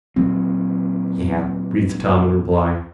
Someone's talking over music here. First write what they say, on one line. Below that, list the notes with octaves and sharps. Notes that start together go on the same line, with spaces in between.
"Yeah," breathed Tom in reply.
A#2 F#3 C4